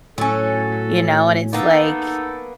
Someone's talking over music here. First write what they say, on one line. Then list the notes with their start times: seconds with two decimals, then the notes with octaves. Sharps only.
you know? And it's, like,
0.18 A2 F#3 C#4 A4
1.53 A#3 B3 D#4 A4